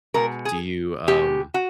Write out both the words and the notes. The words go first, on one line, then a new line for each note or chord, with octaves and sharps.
Do you, um,
B2 G#3 A#4
G#4
B2 G#3 G4
F#4